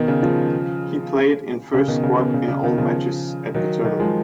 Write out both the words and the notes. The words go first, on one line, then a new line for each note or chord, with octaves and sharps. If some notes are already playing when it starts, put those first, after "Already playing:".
He played in first squad in all matches at the tournament.
Already playing: B2 D#3
C#3
C#3 F3
C#3
B2 D#3
C#3
B2
C#3
C#3
B2 D#3
C#3 F3
D#3 F#3
D#3 F#3
F3 G#3